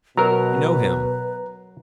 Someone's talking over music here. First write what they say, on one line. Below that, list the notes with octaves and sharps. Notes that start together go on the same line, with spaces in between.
I know him.
B2 F#3 A#4 B4 A#5